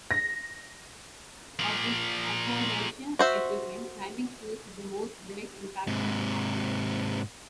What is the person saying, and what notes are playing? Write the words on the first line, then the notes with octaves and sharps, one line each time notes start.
Of the aforementioned equipment, climbing shoes have the most direct impact on performance.
A#6
A#2 F3
F#4 C5 E5
G#2 C3